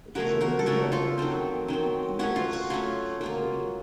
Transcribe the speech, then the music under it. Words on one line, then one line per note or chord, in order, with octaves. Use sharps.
It is a member of the Eos family.
C#3 F3 A3 C#4 F#4 A#4
F#4 A#4
A4
C#3 F3 A3 C#4 F#4 A#4
F4 A4
D#3 F#3 C4
D#3 F#3 C4
F#3 A3 C#4 F#4
F4
F#4
F#3 A3 C#4 F4
F#3 A#3 F4